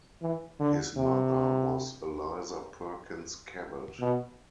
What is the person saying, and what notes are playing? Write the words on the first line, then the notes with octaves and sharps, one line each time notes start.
His mother was Eliza Perkins Cabot.
E3
D3
C3
B2